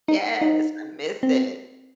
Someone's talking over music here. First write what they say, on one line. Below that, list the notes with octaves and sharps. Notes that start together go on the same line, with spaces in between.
Yes, I miss it.
D#4
D#4
C4